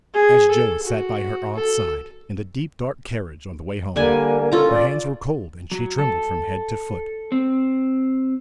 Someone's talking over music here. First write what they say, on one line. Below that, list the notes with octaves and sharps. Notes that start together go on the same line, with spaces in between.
As Joe sat by her aunt's side in the deep dark carriage on the way home, her hands were cold and she trembled from head to foot.
G#4
A4
F#4
A4
D3 G3 A#3 G#5
C#4 F4 A4 A#5
D5
F#3
A4
C4